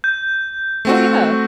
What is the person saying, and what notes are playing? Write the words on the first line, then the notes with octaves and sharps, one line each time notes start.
Oh, yeah.
G6
A3 C4 F#4